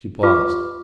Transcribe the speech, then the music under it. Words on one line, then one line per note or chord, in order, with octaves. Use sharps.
She paused.
F4 G4 B4 C#6 D6